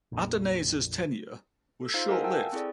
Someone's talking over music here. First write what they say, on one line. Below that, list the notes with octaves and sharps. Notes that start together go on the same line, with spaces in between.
Adarnase's tenure was short-lived.
A#1 F2 A#2
A4 E6
D#4 F4 C5 F5
A4 A#4 D#5 F5 F#5 G#5
G5 A5 E6
C4 E4 G#4 A4 D5